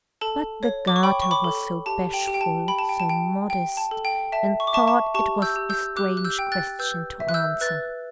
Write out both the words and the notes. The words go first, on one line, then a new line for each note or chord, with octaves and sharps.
But the garter was so bashful, so modest, and thought it was a strange question to answer.
A4 A5
C#5
D6
C#6
C#5 G5 B5
C#6
B5 D6
A4
G4 A5
G5
G4
G5
A5
G5 B5
A5
G5
A5
G5
G5
A5
A4
G5
E5 A5
C#6
D6
E5 A5 C#6
A5 C#6
G4 A5 C#6
E6 G6
G4
E6 G6
G4 D6 F#6
F#6
E6 G6
G5
F#6 A6
B4 E6 G6
E5
F#6
E6 G6
B4 F#6 A6